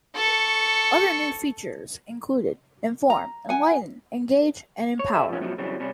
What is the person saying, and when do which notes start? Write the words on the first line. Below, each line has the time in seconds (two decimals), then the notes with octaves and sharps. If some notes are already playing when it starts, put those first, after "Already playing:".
Other new features included, Inform, Enlighten, Engage, and Empower.
0.16 A4 C#6
3.10 A#5
3.49 F#5 G#5
4.99 C#5
5.14 G#4 E5
5.29 F3 C#4
5.42 F#2 B2 F3 F#3 A3
5.58 C#3 E3 F#3 G3 C4 C#4
5.80 C3 G3 C#4